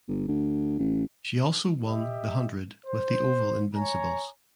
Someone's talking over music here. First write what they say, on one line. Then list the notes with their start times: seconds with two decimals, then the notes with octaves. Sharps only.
She also won The Hundred with the Oval Invincibles.
0.08 G1
0.28 D2
0.79 A1
1.84 G4 D#5 E5
2.86 C5
3.75 C#5 G#5 A#5